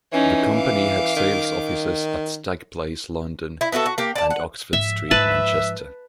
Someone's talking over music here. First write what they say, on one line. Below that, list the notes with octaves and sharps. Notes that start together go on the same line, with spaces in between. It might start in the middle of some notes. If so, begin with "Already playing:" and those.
The company had sales offices at Stag Place, London and Oxford Street, Manchester.
E3 C#4 D#4
F5 D6
D#3
E4
B3 E4 F#4 A4
F#4
A#3 G4
D5 A5
F#5
G#2 F3 E5
G#2 F3 B4 E5 A5